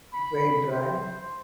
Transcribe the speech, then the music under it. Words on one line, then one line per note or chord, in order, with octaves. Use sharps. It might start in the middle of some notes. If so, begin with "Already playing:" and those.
It weighed dry.
B5
C5